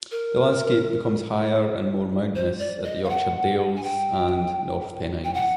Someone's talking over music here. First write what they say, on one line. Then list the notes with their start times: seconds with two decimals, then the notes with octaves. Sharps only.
The landscape becomes higher and more mountainous at the Yorkshire Dales and North Pennines.
0.11 A#4
2.35 C5
2.59 D5
2.84 D#5
3.04 F5
3.09 F#5
3.76 G#5
3.83 G5
5.24 G5
5.34 F#5